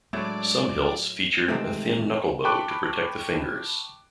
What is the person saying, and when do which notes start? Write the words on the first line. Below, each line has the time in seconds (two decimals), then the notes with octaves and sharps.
Some hilts featured a thin knuckle-bow to protect the fingers.
0.13 A2 F#3 G#3 A3 D4 E4 D5
1.48 G#2 C3 D#3 E3 A3 C4
2.45 G5 A5 B5 C#6 D6 F#6